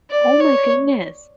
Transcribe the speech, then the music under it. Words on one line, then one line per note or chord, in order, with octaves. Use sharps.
Oh, my goodness.
D5
C#5